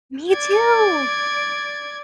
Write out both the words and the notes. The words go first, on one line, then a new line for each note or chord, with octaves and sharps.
Me too.
D5 G#6